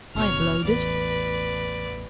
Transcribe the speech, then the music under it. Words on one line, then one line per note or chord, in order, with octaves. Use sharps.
"I blowed it."
F#1 B2 C#5 F6
A1 E2 B4 D5